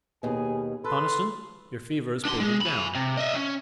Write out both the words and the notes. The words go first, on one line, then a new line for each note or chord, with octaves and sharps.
Conniston, your fever has pulled you down.
D#2 B2 G#4
A4 B4 C6
D4 C6
G#3 G#4
G#5 B5
C3
D#5 E5
C#4